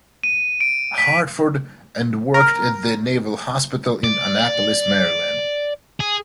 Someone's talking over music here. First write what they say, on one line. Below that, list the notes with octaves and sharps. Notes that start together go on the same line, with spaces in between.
Hartford and worked at the Naval Hospital in Annapolis, Maryland.
D#7
D7
B6
A#4
D5
G#4